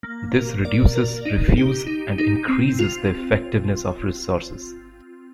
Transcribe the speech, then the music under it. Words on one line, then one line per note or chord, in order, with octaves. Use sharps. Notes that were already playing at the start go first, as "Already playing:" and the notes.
This reduces refuse and increases the effectiveness of resources.
A#3
A#4
D5
A#4
D#4
G4
D#4
D#4
C4
F4